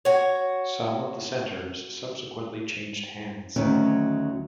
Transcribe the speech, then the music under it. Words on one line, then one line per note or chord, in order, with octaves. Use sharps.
Some of the centres subsequently changed hands.
F#4 C#5
D2 D#3 F#3 C4 C#4 D#4